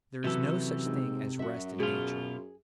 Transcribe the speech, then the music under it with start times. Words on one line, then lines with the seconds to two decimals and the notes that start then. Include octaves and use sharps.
There is no such thing as rest in nature.
0.24 C3 E3 F#3 C#4 A4
0.85 G#2
1.39 F#2 F#4 E5
1.80 B2 F4 G#4